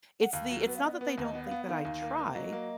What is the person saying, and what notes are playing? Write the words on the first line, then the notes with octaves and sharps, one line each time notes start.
it's the it's not that they don't think that I try,
F#5
D#2 F5
F#3
B3 B4
F5
B3 D#5
D5
B3 B4
D#2
D#5
B3
F5
B3
D#3 F5
D#2
A#3
A#3
F#3 D#5
A#3